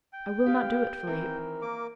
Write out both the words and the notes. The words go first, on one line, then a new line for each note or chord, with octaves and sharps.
"I will not do it, Philip."
G5
G4 F5
D#3 E3 C4 A#4
A#3 D6